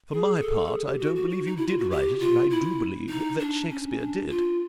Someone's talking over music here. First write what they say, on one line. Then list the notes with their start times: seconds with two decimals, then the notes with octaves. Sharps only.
For my part, I don't believe you did write it, and I do believe that Shakespeare did.
0.11 G#4
0.36 G#4
0.40 A4
0.67 A4
0.71 G#4
0.85 G4
1.00 F#4
1.16 F#4
1.30 F#4
1.45 D#4
1.57 E4
1.67 F4
1.78 F#4
1.91 G4
2.19 F4
2.50 E4
3.10 D#4
3.39 D4
3.70 C#4
3.99 D4
4.29 F4